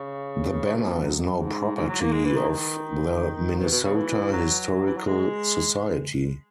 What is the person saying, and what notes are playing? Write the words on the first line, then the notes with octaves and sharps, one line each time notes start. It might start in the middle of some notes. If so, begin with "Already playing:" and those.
The banner is now property of the Minnesota Historical Society.
Already playing: C#3
C#3
B2
A#2
F#2
G#2
G#2
F#3
A#3
G#3
E3
D#3
D#3
B2
B2
C#3
E3
F#3
E3
F#3
G#3